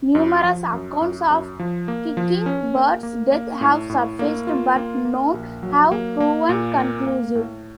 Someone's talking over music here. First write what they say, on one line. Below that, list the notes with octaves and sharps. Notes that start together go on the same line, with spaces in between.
Numerous accounts of Kicking Bird's death have surfaced but none have proven conclusive.
F#2
F3
F#2
F#2
F#2
F3
A#3
F3
C#4
A#3
A#3
A#3
A2
A2
A#3
F4
A#3
A#3
A#1
F#3
A#3
A#3
A#2
A#3
A#3
A2